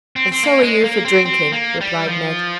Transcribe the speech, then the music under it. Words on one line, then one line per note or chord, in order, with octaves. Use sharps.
"And so are you for drinking," replied Ned.
C4
C4
A#3
G#3
A#3
C4
C4
A#3
G3
F3